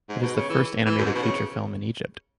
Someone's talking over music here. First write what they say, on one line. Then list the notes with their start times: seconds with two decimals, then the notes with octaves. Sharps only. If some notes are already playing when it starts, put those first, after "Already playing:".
It is the first animated feature film in Egypt.
0.09 G#2
0.23 B2
0.36 C#3
0.50 E3
0.86 E3
0.98 F#2
1.06 G#2
1.15 B2
1.23 C#3